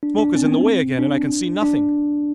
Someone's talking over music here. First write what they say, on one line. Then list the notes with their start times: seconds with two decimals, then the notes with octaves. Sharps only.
The smoke is in the way again and I can see nothing.
0.03 D4
0.19 D4
0.35 C4
0.44 B3
0.54 C4
0.99 D4
1.63 D4